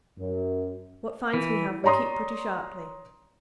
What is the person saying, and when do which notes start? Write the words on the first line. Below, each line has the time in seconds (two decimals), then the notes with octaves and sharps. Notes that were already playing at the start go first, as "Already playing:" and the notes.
What fines we have, we keep pretty sharply.
0.19 F#2
1.34 E3
1.84 C#5 D5 A#5 C6 D#6